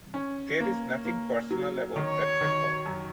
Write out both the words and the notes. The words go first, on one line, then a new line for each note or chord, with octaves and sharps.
There is nothing personal about that record.
C#4
A#3
A#3
F#3
D#3 C#5
D#3
F#2